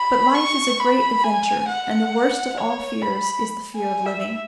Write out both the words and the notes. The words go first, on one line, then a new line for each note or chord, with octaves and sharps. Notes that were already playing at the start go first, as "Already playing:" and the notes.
But life is a great adventure, and the worst of all fears is the fear of living.
Already playing: B5
C#6
B5
G#5
F#5
C#5
B5
G#5
E5